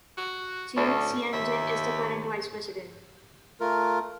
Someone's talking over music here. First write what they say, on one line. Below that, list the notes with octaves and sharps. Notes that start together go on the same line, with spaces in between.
Chen Chien-jen is the current Vice President.
F#4
D2 C#4
D#2 E5
A3 F4 A#4